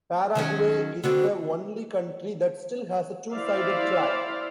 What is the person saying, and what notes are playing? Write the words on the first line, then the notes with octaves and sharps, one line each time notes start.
Paraguay is the only country that still has a two-sided flag.
D#3 F#3 C#4
D3 B3 C4 F#4
E4 C5 D5 E5 F5